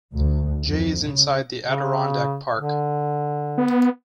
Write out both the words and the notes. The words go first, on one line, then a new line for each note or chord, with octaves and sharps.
Jay is inside the Adirondack Park.
D2
F2
C#3
C#3
D3
B3